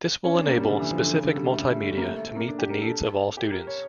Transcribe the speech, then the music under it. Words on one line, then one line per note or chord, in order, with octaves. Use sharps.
This will enable specific multimedia to meet the needs of all students.
C#4
D4
A#3
G3
D3
E3
F3
D3
C#3
D3
G3
A3
G3
A3
A3
G3
A#3
A3
A3
A3
A#3
D4
G4
A#4
A4
G4
A#4
C#5